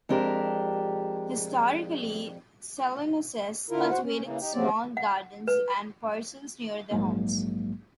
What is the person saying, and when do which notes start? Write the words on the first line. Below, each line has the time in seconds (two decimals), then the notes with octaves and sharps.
Historically, Saloenses cultivated small gardens and parcels near their homes.
0.09 F2 G#3 D4 G4 A#4
3.70 D3 E4 F4 A#4
3.91 E2 F#4 C5 F#5
4.03 C#4
4.24 C#3 E3 A#3
4.40 D#4 G4
4.53 D#2 C#3 F3 F#3 C4 D5
4.97 F#5
5.48 B4
6.91 A#1 G#2 F#3 G#3 A#3